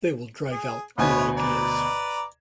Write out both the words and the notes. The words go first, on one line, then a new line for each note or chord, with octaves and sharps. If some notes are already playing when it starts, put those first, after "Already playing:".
They will drive out good ideas.
G#4
D2 B2 B3 C#5 G#5
B4 D5 A#5